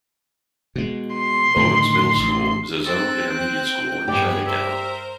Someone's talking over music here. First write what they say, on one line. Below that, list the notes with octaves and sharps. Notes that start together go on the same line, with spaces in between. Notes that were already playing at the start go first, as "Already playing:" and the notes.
Owens Middle School is a zoned intermediate school in Chinatown.
B2 G#3
C6
A2 D3 D#3
A1
C4 A4 F#6
G5
G2 B3 G4 G#4 D5
A#4 C5 E5